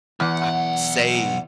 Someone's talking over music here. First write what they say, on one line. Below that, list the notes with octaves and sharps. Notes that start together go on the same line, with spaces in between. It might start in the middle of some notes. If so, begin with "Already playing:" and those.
uh, say
B1 E2 F#5